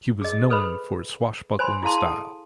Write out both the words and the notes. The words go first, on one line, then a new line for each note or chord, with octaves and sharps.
He was known for his swashbuckling-style.
G#4 D#5
G#4 A4 B4 C5 B5
C5 G#5 B5 C6
E4 G#4 F5 A5 C6
A4 A5